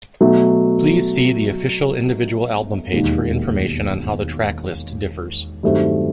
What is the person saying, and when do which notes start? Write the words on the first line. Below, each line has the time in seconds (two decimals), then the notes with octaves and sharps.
Please see the official individual album page for information on how the tracklist differs.
0.20 B2 F#3 A3
2.92 E1 D#2 D#3
5.63 G2 D#3 F#3 A3 C4